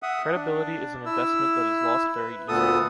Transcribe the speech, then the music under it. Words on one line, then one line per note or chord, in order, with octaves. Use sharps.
Credibility is an investment that is lost very easily.
E5 F#5 D#6
D4
E4 E6
B4
D2 A#2 B3 A4 D#6